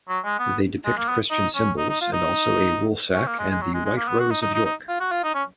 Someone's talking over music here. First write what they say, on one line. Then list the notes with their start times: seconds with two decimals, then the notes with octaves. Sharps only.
They depict Christian symbols and also a woolsack and the White Rose of York.
0.09 F#3
0.25 G#3
0.39 B3
0.86 G#3
0.98 A#3
1.09 B3
1.31 D#4
1.55 C#4
1.78 D#4
1.89 D#4
2.01 F4
2.13 D#4
3.15 C#4
3.27 A#3
3.39 G#3
3.51 G#3
3.62 F#3
3.74 G#3
3.85 G#3
3.97 A#3
4.08 B3
4.19 F#4
4.31 D#4
4.42 D#4
4.54 D#4
4.65 D#4
4.89 F4
5.00 F#4
5.11 F4
5.24 D#4
5.35 C#4